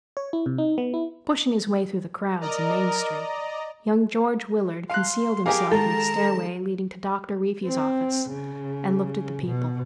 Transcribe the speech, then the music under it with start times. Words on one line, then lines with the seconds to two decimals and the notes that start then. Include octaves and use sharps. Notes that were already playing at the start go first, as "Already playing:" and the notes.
Pushing his way through the crowds in Main Street, young George Willard concealed himself in the stairway leading to Doctor Reefy's office and looked at the people.
0.17 C#5
0.33 E4
0.46 C3
0.58 D#4
0.78 B3
0.94 E4
2.41 A#4 D5 D#5 A#5
4.90 F5 C6 F#6
5.46 G4 G#4 A#4 D#5 F5 G#5 D6
5.71 D#3 G#3 A4 A#5
7.66 C4
8.30 C#3
9.46 B2